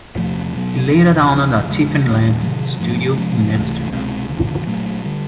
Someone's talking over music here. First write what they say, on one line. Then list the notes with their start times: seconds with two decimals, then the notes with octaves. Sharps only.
He later owned a Tiffany lamp studio in Amsterdam.
0.18 E2 C3 F3 A3
0.54 B2 F#3 B3
0.92 F2 C3 F3
1.29 D2 C#3 F3
1.67 E2 C#3 E3 G#3
2.05 D#2 D#3 G3 A#3
2.42 C3 D#3 F#3
2.80 G#2 F3 A3
3.17 C3 F3 G#3 C#4
3.55 C#2 C3 E3 A3
3.92 C2 B2 G#3 C4
4.29 D2 C#3 E3 A3
4.67 A#2 F#3 A3
5.04 D3 G3